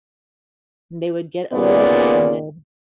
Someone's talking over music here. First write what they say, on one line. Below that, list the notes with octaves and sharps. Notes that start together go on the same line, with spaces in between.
And they would get a little offended.
D#2 A#2 C#3 B3 D5